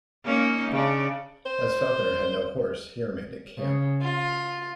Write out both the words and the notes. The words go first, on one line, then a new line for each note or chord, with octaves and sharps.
As Falconer had no horse, he remained in camp.
A#3 C#4 D#4
C#3 D4
C5
C#3
F4